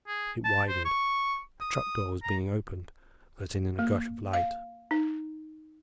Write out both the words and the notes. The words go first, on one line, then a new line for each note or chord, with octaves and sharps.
It widened; a trap-door was being opened, letting in a gush of light.
G#4
A5
C5
C#6
D#6
A#5
A#3
F5
D#4